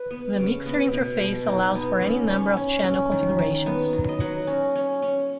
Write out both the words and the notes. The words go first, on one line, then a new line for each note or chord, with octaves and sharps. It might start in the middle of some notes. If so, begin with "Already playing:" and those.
The mixer interface allows for any number of channel configurations.
Already playing: B4
B3
C#3
B3
B2
B2
D#4
B3
C#4
C#4
C#4
C#4
D#3
D#3
B3
F#3
D#5
F#3 F#5
C#4
C#4
C#4